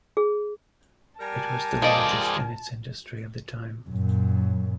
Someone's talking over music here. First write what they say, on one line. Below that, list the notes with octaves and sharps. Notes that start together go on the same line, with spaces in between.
It was the largest in its industry at the time.
G#4
G3 A#4 G#5 A5
F3 G#3 A4 D5 D#5
F#2 A#2